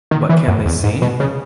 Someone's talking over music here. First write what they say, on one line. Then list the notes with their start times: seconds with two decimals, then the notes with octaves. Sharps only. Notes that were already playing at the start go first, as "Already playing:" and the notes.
But Can They Sing?
0.11 D#3
0.29 E3
0.48 F#2
0.66 E2
0.84 G#2
1.02 B2
1.20 C#3